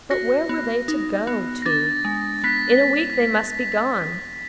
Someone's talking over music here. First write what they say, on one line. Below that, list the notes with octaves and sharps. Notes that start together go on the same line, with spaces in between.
But where were they to go to? In a week they must be gone.
F#4 A#6
B3
D#4
B3
A#6
D4 A6
G#3
B3 B6